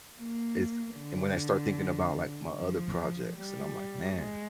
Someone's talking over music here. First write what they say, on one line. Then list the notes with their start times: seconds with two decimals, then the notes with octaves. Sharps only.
is and when I start thinking about, like, my other projects and I'm like, "Man
0.18 A#3
0.98 D3
2.57 F3
3.37 G3
4.17 G#3